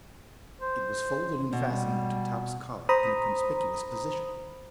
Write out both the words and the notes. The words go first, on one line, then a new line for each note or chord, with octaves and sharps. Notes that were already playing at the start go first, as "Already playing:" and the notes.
It was folded and fastened to Top's collar in a conspicuous position.
C5
B2
G3
C5 A#5 B5 D#6